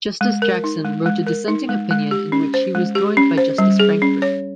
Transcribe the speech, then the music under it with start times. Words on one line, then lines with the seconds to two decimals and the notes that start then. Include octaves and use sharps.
Justice Jackson wrote a dissenting opinion in which he was joined by Justice Frankfurter.
0.21 G#3
0.42 A#4
0.64 D#4
0.85 G#3
1.06 G#3
1.27 A#4
1.48 D#4
1.69 G#3
1.91 G#3
2.11 G4
2.32 C#4
2.54 C5
2.75 G#3
2.95 G4
3.17 C#4
3.38 C5
3.58 G3
3.80 G#4
4.02 C#4
4.22 C#5